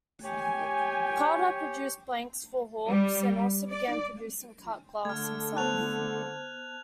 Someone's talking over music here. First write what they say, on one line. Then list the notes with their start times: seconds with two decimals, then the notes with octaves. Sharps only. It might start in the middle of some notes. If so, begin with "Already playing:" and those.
Carder produced blanks for Hawkes and also began producing cut glass himself.
0.24 G4 C#5 G5 G#5
2.89 G3
3.69 D5
5.05 D3 A3 F6 G#6
5.57 B3 C5 A5 F#6 F7